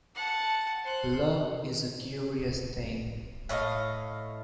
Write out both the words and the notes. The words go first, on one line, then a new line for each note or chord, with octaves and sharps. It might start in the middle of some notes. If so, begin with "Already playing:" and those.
Love is a curious thing.
F#5 A5
C5 F#6
A2 C#5 D#5 F5